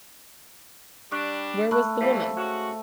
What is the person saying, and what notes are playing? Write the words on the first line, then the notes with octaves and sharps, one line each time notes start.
Where was the woman?
G3 D4 C#6 F#6
A3 B5 C#6 F#6
E3 G3 C5 F5
G#3 C#4 F#4